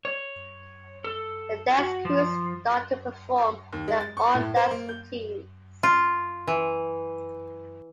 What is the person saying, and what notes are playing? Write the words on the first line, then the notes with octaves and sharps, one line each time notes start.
The Dance Crews start to perform their own dance routines.
C#5
A4
F#4
F3
D#2
G#3
A6
C#6
A2
C5
A#3
G6
F4
E3